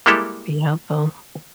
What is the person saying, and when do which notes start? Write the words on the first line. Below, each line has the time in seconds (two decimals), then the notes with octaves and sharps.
be helpful.
0.06 G3 G#3 A#3 E4 G4 A4